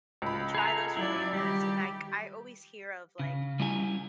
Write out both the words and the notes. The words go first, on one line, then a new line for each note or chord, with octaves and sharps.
try those flavors, and, like, I always hear of, like,
C#2 B5
G#4 A4 A#5
F#3 E4 D5
D#3 G3 G4
C#3
G3 C#4 E4 G4 G#5